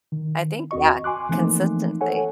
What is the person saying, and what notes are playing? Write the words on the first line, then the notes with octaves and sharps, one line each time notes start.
I think, yeah, consistency.
D#3
D#2 C4 F#4 D#5 C#6
G#5 C6 D6 F#6
E3 F3 A3 A#3 C4 D#4
A4 C#5 F#5 G#5